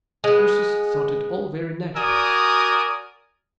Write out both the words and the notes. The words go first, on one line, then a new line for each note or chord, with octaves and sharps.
Ursus thought it all very natural.
G#3 B3
F#4 A#4 D5 G#5 D#6